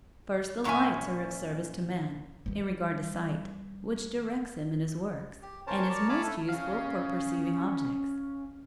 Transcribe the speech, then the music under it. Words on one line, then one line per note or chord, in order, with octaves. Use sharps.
First, the lights are of service to man, in regard to sight, which directs him in his works, and is most useful for perceiving objects.
F#2 A#2 C#4 G4 E5 G#5
E3 G3
G4
C#4 A#4 C5 C#5 A5
A#4 C#5 D5 A5
C#5 F5 G#5 A5 B5 D6
A3 A4
C#4 F5